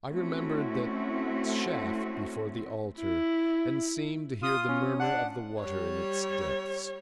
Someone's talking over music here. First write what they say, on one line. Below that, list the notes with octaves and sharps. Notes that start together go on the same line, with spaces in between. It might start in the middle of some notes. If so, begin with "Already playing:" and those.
I remembered that shaft before the altar, and seemed to hear the murmur of the water in its depths!
A3 C4 C#4 E4 F#4
E4
F4 D#6
C#4
D4 F#5
G3 C#5